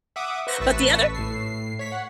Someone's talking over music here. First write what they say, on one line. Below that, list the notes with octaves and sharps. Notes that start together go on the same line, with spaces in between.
But the other
E5 F#5 D6 D#6
B4 C5 E5 C#6 F#6 A#6
A1 B4 A5 C#6 E6 B6
A2 C7
C#5 B6
F#5